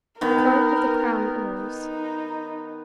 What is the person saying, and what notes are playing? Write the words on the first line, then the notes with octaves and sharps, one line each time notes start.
The Clerk of the Crown arose.
D#3 B3 A#4
D#4